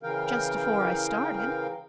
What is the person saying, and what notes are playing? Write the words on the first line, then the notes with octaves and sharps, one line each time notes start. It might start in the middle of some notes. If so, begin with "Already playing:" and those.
"Just afore I started."
C#3 E3 A#4 F5 G5